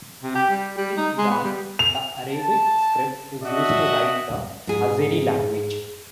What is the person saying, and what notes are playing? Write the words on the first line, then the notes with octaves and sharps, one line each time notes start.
In Iran, the Arabic script is used to write the Azeri language.
C3
G4
G3
G3
D#4
G#3
B3
G3
F7
A5
D4 F#4 D#5 E5
G#2 G#4